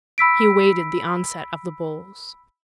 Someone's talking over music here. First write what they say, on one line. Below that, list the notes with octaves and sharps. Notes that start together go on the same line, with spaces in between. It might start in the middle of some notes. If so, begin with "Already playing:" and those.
He awaited the onset of the bulls.
B5 E6 B6 D7